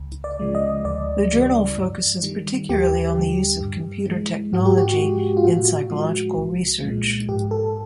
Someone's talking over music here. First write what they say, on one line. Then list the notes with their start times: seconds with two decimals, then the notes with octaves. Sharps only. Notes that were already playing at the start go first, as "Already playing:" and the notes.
The journal focuses particularly on the use of computer technology in psychological research.
Already playing: C#2
0.24 D5
0.39 C#3 F3 G#3
0.55 D#5
0.85 D2 D5
1.31 C#3 E3 G3
1.77 G2
2.23 D#3 G3
2.69 D#2 G4
3.15 D3 G3
3.61 G2
4.07 E3 G#3
4.53 G#2 F#4
4.65 G4
4.78 F#4
4.99 F3 G#3
5.37 F4
5.44 A2 F#4
5.91 F3 G#3
6.37 C2
6.83 A#2 F3 G#3
7.29 G#2 G4
7.51 A4